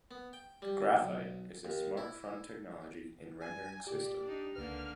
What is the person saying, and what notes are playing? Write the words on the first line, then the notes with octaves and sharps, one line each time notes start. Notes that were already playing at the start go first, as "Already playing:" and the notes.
Graphite is a smart-font technology and rendering system.
B3
G5
G3
B1
D#2
E4
G#5
A#2 G4 D5
D4 D#4
C#2 D3 A#3 B4 F6